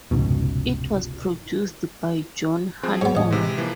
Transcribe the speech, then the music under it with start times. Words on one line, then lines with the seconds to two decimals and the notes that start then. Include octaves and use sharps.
It was produced by John Hammond.
0.11 F1 C#2 G#2 B2
2.83 F3 C4 G#4
3.01 G#2 B3 C#5
3.15 A1 D#5
3.31 C3 E3 G#3
3.58 E3 F3 A#3